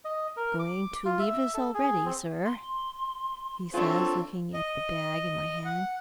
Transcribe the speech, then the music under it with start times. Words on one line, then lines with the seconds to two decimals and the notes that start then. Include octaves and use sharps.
"Going to leave us already, sir?" he says, looking at the bag in my hand.
0.05 D#5
0.37 A#4
0.59 D6
1.05 F4
1.19 E5
1.54 A4
1.74 G#4
2.05 C4
2.45 C6
3.74 C4 D4 F4 A4 C#5
4.53 D#5
5.65 F#5